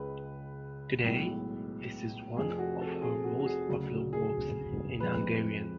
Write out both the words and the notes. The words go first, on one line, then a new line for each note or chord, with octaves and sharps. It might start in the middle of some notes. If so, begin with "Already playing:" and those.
Today, this is one of her most popular works in Hungarian.
Already playing: C#2 C#3 G#3 B4
B1 A2 G#3
F1 F2 F3 G#4
F#4
A4
G#4
F#4
F#4
G#4
D2 C#3 F#3
G#4
F2 F3 G#3 B4